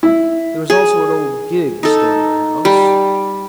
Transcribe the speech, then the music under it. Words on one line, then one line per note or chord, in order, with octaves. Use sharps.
There is also an old gig stored in the house.
E4
G#4
D#4 A4
G3